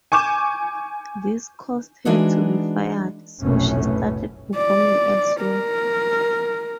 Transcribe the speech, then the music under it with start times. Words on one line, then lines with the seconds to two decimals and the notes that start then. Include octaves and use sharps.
This caused her to be fired, so she started performing elsewhere.
0.12 G#5 C#6 D6 G6 E7
2.05 E3 G#3 D4 D#4 F#4
3.42 F1 B1 F#2 A2 B3 C#4
4.56 D5
5.41 A#4